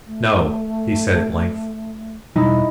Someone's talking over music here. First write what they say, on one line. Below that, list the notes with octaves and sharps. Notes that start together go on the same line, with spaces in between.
"No," he said at length.
A3
E1 B2 G3 D#4 E4